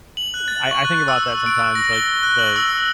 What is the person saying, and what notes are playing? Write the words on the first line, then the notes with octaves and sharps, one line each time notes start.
Uh, I I think about that sometimes, like, the
F#7
F#6
A6
C#6
F#6
E6
D7
A#6
G7
F#6
F#7
E6